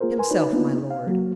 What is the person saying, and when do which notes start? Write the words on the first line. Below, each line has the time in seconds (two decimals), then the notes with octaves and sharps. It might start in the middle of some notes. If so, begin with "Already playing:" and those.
"Himself, my lord."
0.01 A#3 F4 G#4 A#4 C5
0.18 A#4 B4 G#5 C6
0.31 D#4 F#4 B4 C#5
0.52 A#3 B3 D4 D#4 F4 B4
0.91 F5
1.07 F#3 A#3 F#4